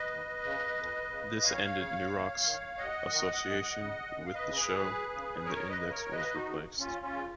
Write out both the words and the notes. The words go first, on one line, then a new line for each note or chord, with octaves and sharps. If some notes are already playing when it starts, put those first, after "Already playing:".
This ended Nurock's association with the show and the Index was replaced.
Already playing: B4 D#5
D#2
C#3
F2
C#3
F2 C#5 F5
C#3
D#2
D#3
D#2 D#5 F#5
D#3
F#2
C#3
F#2 F#5
F5
B4 D#5
C#3
G#4 B4
F#2
C#3
F#2 A#4 C#5
B4 D#5
C#3
A#4 C#5
D#2 B4 D#5
D#4 F#4
C#3
D#2 C#4 F4
C#4 F4
C#3